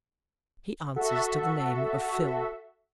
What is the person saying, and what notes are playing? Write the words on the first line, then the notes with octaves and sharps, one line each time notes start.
He answers to the name of Phil.
F#4 A4 E5